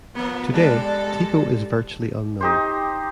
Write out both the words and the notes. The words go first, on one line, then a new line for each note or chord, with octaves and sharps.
Today Teeko is virtually unknown.
F3 A#3 B3
G3 G#3 D4 A4
D#4 G4 C5